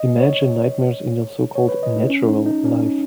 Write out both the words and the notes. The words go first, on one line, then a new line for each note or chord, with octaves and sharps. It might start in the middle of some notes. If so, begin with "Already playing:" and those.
Imagine nightmares in your so called "Natural" life.
Already playing: D#5
C#5
C#5
B4
D#5
E4
C#4
D#4
D#4
C#4